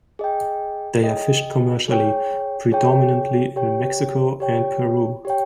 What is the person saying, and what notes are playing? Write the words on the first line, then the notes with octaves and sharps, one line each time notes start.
They are fished commercially, predominantly in Mexico and Peru.
G#4 D#5 G5
G#4 D#5 G5
G#4 C#5 G5
G#4 C#5 G5
G4 C#5 G5
G4 C#5 G5
G4 C#5 G5